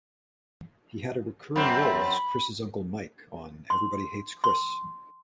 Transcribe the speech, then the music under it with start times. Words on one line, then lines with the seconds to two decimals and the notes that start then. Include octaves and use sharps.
He had a recurring role as Chris' Uncle Mike, on "Everybody Hates Chris".
1.56 F#2 C4 B5
3.70 C6
4.44 C6